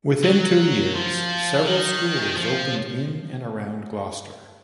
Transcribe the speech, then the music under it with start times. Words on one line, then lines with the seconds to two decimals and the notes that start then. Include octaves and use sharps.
Within two years, several schools opened in and around Gloucester.
0.25 F#3
0.95 F3
1.66 D#3
2.37 F3